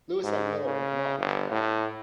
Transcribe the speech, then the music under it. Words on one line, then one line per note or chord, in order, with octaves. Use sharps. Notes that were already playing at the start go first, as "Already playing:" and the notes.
Louis N. Miller in command.
G#2
C#3
G1
A2